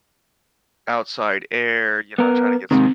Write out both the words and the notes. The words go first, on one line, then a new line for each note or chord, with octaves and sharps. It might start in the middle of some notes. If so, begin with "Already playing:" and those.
outside air, you know, trying to get some
B3 A#4
G#2 C3 D#3 C4